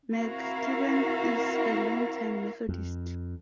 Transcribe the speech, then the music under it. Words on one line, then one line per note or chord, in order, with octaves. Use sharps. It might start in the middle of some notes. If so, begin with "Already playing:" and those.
McKibben is a long-time Methodist.
C4 E4 F#4 A#4 F5
F2